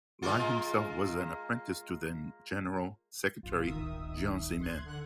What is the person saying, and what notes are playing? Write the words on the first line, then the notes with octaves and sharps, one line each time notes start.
Lai himself was an apprentice to then General secretary Jiang Zemin.
G#3 A#3 F4
A#1 A2 F4
D1 G#1 D#3 E5 D#6
C6 F#6 G#6
D3 F#5 F#6